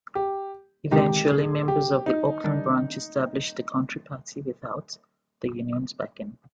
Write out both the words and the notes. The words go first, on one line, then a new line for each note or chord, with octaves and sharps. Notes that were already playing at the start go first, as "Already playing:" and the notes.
Eventually members of the Auckland branch established the Country Party without the Union's backing.
G4
C3 D#3 G#3 D#4 G4
G#4
G4
D#4
D#3 G3 D4